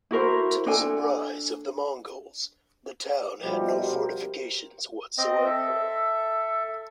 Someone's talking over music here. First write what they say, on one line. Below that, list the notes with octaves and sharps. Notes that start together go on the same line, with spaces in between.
To the surprise of the Mongols, the town had no fortifications whatsoever.
E4 F#4 A#4 C5
D4 A4 G#5
B2 F3 G3 A3 D#4 G4
F#4 G4 A#4 C5
C4 D#5
A4 E5